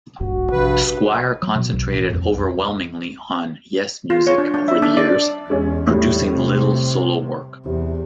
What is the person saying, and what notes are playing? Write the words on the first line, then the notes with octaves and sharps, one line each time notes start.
Squire concentrated overwhelmingly on Yes' music over the years, producing little solo work.
D1 A#1 G2 F#4
A#1 G2 C3 F3 B4
F#3
B2
B1
A1
F2
B1
F4
C#5
D4
D4
E5
D4
D5
E2 G#3 C#4
A2 G3
C3
E2 C3